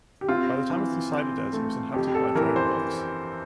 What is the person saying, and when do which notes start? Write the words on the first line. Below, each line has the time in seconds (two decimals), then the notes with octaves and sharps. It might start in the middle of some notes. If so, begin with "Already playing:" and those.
By the time of Thucydides it was inhabited by Dryopians.
0.21 G4
0.28 C4 F4
0.70 E3
1.12 C4
1.53 A3
1.94 F2 G4
2.15 A4
2.35 E3 A#4
2.56 C5